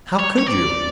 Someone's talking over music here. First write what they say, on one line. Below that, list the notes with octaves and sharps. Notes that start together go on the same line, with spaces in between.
"How could you?"
C#5
C#5
D5